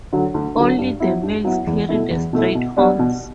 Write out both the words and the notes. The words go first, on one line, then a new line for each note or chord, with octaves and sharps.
Only the males carry the straight horns.
D3 F#3
D2
D3 F#3
G2
F#3 B3 E4
G2
F#3 B3 E4
E2
B2 A3 E4
E2
B2 A3 E4
B2
G3 B3 D4
B2